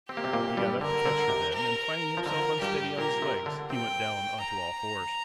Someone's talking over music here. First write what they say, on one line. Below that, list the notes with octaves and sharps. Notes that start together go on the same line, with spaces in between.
He got up to catch her then and finding himself unsteady on his legs, he went down on to all fours.
C4 G4
A#3
C3 C4
A#2 A#3
G2 G3
D3 A#4
D3
C3
A#4
F3
D3 A#4
G2 G3 G4
A#2 A#3 A#4
C3 C4
D3 D4
C3 C4 G5
A#5